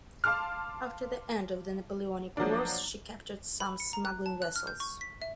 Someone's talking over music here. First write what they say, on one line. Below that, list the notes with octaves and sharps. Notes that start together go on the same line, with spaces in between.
After the end of the Napoleonic Wars she captured some smuggling vessels.
F5 A5 C6 D6 F6
F3 F#3 A#3 D4
B5
C#7
A#5
F#6
A5
F#6
F6
G6
C#6
B6
E5